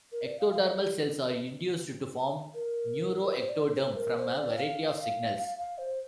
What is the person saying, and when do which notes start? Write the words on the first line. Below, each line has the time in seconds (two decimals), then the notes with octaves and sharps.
Ectodermal cells are induced to form neuroectoderm from a variety of signals.
0.12 A#4
0.26 D5
0.39 F5
0.52 F5
0.66 D5
0.80 G4
2.54 A#4
3.36 C5
3.49 D5
3.76 C5
3.97 A#4
4.17 C5
4.37 D5
4.57 F5
5.38 F5
5.59 F5
5.78 C5